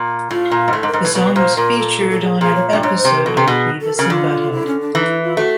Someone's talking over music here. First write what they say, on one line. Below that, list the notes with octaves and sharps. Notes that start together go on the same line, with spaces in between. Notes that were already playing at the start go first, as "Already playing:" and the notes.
The song was featured on an episode of "Beavis and Butthead".
Already playing: A#2
A2 F4
A#2
G#2
A2 A4
G#2
A#4
G#2
A2 B4
B2 B4
A#2 C5
A#2 A#4
A4
A4
A4
G#4
A#2 G#4
C#5
G2 D5
G#2 C#5
C5
C3
A#4
B2 A4
C3
B2 G#4
A4
C#3 A#4
D3 F4
E4
C#4
D4
E3 D#4
E4
F4
A3 F#4